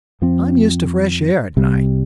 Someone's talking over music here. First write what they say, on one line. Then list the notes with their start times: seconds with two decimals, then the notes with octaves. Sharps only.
I'm used to fresh air at night.
0.21 F2 F3 C4
1.57 C2 C3 G3